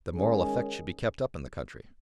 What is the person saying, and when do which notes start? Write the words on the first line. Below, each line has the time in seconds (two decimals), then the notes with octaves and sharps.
The moral effect should be kept up in the country.
0.15 D#3 G#3 C#4 G#4